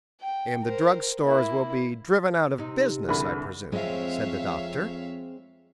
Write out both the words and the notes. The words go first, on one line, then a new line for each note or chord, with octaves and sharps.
"And the drug stores will be driven out of business, I presume," said the Doctor.
G5
A#4 C5
A#3 E4
C3 D#4
C2 D3 G#4 B4 B5
F2 G#3 C4 C#5 E5 F5